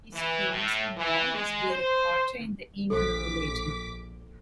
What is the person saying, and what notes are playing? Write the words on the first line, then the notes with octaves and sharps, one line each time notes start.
He is famously known as Viracocha in the Incan religion.
E3
A2
E3
G#3
C5
A#1 A4 C5 D6 B6